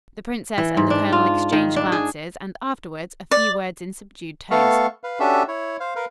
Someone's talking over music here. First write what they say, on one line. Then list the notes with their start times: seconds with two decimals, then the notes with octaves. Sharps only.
The princess and the colonel exchanged glances and afterwards a few words in subdued tones.
0.58 E3
0.77 G#2
0.90 D4
1.12 F4
1.52 D#3
1.76 D4
1.92 G#4
3.31 D5
4.51 A3 B3 A4 F5 C#6
5.04 B4 F5
5.20 C#4 D4 F#4 G4 A4 E5
5.48 E4 C#5
5.80 C5 F5
5.96 A#4 B4 F5